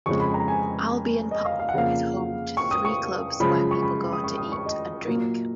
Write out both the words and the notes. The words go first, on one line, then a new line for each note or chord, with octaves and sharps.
Albion Park is home to three clubs where people go to eat and drink.
F2 C#3 G#3 C#6
B5
A#5
G#5
D#5
F5
F5
F#5
F2 C#3 F3 A#3 F5
C#6
D#6
C#6
F#2 C#3 F3 G#3 B5
C#6
B5
D#6
C#6
D#6
C#6
D#5
A#2 F#3 A#3